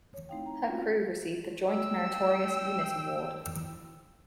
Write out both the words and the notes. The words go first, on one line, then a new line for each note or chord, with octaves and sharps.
Her crew received the Joint Meritorious Unit Award.
C#5
A3 C4 D#4 E4 F5 G5
A#5
A#3 C4 C#4 F4 F#4
G5 E6